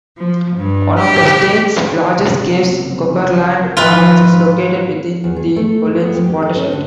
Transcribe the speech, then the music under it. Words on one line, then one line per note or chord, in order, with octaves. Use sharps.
One of the state's largest caves, Cumberland Caverns, is located within the Collins watershed.
F3
G2
G4
F#1 C3
G#2 D#3 F3 F4 B4
E2
G#4
A3
G#3
B3
F2
G4
A4
C#4
D3